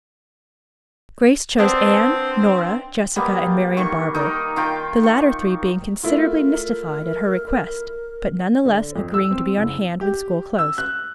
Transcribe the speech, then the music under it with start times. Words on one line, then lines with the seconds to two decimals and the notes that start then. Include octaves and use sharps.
Grace chose Anne, Nora, Jessica and Marian Barber, the latter three being considerably mystified at her request, but nevertheless agreeing to be on hand when school closed.
1.59 B3 C4 D4
3.16 G3 A#3 B3 D#5
3.77 D#3 C#6
4.15 D#4 A#4
4.56 D#3 F4 G5
5.03 C#6
6.03 A3 E4 F4 A#4
8.65 D3
8.96 F2
9.14 E6
9.31 C4
9.57 F#1
10.01 G4
10.59 E6
10.78 F#6